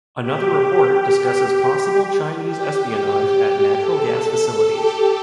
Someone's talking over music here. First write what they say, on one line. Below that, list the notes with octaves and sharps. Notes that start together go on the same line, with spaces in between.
Another report discusses possible Chinese espionage at natural gas facilities.
G4
G4
A4
G4